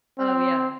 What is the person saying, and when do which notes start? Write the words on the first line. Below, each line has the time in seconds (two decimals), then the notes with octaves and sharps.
Oh, yeah.
0.19 C4